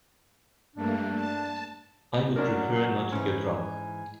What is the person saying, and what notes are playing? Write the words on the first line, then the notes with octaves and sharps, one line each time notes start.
I would prefer not to get drunk.
G2 A3 A#3 D4
A5
F#3 C#4 D4 A#4
G#2 E3 C#4 G#5